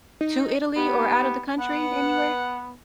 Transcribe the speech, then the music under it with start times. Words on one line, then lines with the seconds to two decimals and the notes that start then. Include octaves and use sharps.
to Italy or outta the country, anywhere?
0.21 D#4
0.76 B3 D#4 G4
1.58 B3 B4 F#5